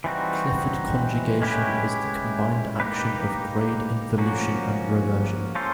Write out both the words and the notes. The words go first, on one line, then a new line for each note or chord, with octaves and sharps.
Clifford conjugation is the combined action of grade involution and reversion.
E3 G3 C4 D#4 F#4
G#3 C#4 E4 G4 B4
A#3 D#4 G4 B4
F3 A#3 C#4 F#4
A#3 C#4 F4 A4 C5